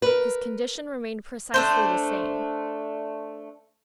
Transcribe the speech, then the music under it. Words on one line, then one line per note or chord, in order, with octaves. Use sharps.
His condition remained precisely the same.
A#4 B4
A3 D4 C5